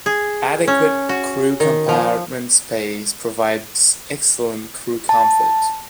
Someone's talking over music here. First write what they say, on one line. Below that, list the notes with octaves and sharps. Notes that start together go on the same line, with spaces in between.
Adequate crew compartment space provides excellent crew comfort.
G#4
C#4
F#4
D#3
F3
A5